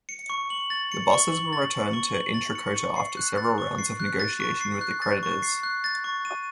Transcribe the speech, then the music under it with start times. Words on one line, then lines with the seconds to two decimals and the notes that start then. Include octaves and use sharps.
The buses were returned to Intrakota after several rounds of negotiations with the creditors.
0.09 C#7
0.30 C#6
0.50 F#7
0.70 A6
0.92 C#7
1.11 C#6
1.32 F#7
1.53 A6
1.74 C#7
1.93 C#6
2.14 F#7
2.34 A6
2.55 C#7
2.76 C#6
2.96 C7
3.17 F#6
3.38 A6
3.58 C#6
3.78 C7
4.00 F#6
4.20 A6
4.40 C#6
4.61 C7
4.81 F#6
5.02 A6
5.23 C#6
5.43 C7
5.63 F#6
5.84 A6
6.04 C#6
6.25 D#7